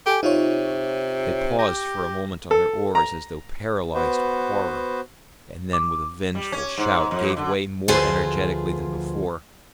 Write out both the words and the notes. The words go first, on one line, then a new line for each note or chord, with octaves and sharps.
They paused for a moment on their oars as though paralysed with horror; and then with a vengeful shout gave way more energetically than before.
G4 A4 G#5
C3 D#4 F4 C#5
G4 A#6
A4
A#5
B3 F#4 B4 C5
D6
G3
C#4
G#2
F2
D3
D2 F3 F4 G#4 B4 C5